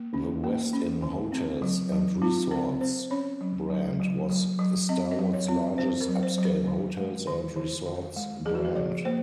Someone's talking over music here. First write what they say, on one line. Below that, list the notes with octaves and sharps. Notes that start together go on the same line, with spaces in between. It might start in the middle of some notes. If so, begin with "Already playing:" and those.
The Westin Hotels and Resorts brand was Starwood's largest upscale hotels and resorts brand.
Already playing: A#3
C#4
A#3
C#4
D#3
C4
F#3
F#3
C4 F4
C4 A#4
C4 C5
C#4 C#5
F#3
F#3
F#3
F#3
F#3
C4 D#5
D#5
F#3
C#5
C4
C4 C5
A#4
F#3
C5
F#3
A#4
D#3
G#3
D#3
D#3
D#3
G#3
F3 G#4
F#4
G#4
F3 C#5
A#3 C5